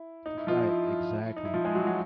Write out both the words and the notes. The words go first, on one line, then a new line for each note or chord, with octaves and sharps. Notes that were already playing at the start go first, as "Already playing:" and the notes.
Right, exactly.
Already playing: E4
D#4
E4
F3 F4
D#4
E4
D#4
E4
F3 F4
G#3 G#4
F#3 F#4
F#3 F#4